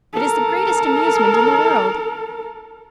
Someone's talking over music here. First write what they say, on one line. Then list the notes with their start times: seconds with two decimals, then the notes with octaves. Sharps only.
It is the greatest amusement in the world!
0.13 A4 A#4